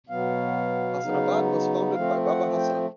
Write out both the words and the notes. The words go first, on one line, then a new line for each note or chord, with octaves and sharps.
Hassanabad was founded by Baba Hassan.
B2 F#3 B3 F5
C#3 F#3 B3 D#4
F3 A3 C4 F5
F#5
G5